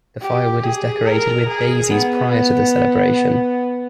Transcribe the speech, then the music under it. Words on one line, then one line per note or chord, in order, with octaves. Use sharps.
The firewood is decorated with daisies prior to the celebration.
G4
G#4
A#4
G#4
B3